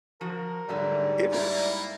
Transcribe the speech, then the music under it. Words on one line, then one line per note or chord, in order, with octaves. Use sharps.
it ju
F3 F#4 A#4
G#2 D3 F#3 G3 A3
A3 A#3 E4 D5 A#5